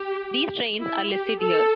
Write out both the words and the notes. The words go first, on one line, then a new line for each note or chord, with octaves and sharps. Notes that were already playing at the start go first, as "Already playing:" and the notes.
These trains are listed here.
Already playing: G4
E4
G4
A4